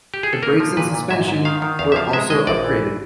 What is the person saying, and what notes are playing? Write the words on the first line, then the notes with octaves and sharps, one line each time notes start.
The brakes and suspension were also upgraded.
G4
G#4
A4
A#3 A#4
F3
A#2 B4
A#2
G#2 E5
G#2
D#3 F5
D#3
E2 F5
E5
F3 F5
G#3 E5
G#3 D#5
A#1 D5
E3